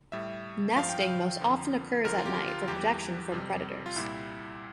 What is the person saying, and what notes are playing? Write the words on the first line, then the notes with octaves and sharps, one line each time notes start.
Nesting most often occurs at night for protection from predators.
A2 G3 E5
G2 F3 F5
G5
F5
F2 D3 F3
D2 D3 F3 A#4
F4
G4
F4
E2 E3 G3 G4
F2 C3 G3
F4
C2 A#2 G3 E4